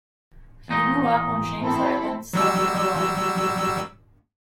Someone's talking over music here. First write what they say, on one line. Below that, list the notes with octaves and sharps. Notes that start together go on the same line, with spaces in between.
He grew up on James Island, South Carolina.
E2 A#2 D#4
C4 E4 A4
F#3 G3 E6